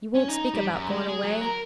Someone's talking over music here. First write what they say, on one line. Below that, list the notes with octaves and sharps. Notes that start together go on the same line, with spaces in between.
You won't speak about goin' away?'
C#4
D#4
G3
F#2
G#3
G#4
F#3
A#4